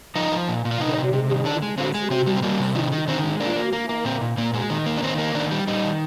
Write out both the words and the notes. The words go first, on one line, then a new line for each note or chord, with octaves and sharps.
The area is isolated from the sea and on fairly high altitude.
F3 D#4
F3
A#2
A#2
F4
C3 D#4
C3
C3
D#3
D3 D4
G#3
D3 C4
G#3
C3 C4
G3
C4
G3 A#3
C3
D#3
D#3
D#3 C4
G#3
A#3 D4
A#3
A#3
A#3
A#2 C4
A#2
A#2 A#3
G#3
D#3
A#3
D4
D#3 C4
A#3
D#3 D4
G3
G3 D#4
D#3